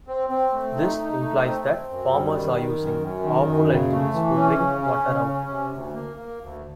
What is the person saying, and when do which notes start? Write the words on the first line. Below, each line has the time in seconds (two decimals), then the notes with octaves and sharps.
This implies that farmers are using powerful engines to bring water out.
0.08 C4
0.30 C4
0.53 A3
0.75 D#4
0.97 D#4
1.21 A3
1.42 C4
1.65 C4
1.88 F#2
2.11 G3
2.33 D#3
2.55 D#3
2.79 F#2
3.00 F#2
3.23 D#3
3.45 F#2
3.69 C#3
3.91 A3
4.13 E3
4.36 C#4
4.58 C#3
4.81 C#4
5.05 C#3
5.26 C#4
5.49 C3
5.72 D2
5.94 A#3
6.17 A#3
6.40 D2